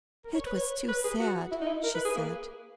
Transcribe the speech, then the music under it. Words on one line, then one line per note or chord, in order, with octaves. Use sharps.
"It was too sad," she said.
A#4
C#5
B4
C#5
B4
G#4
F#4
E4
D#4
E4
A#4
B4
G#4
A#3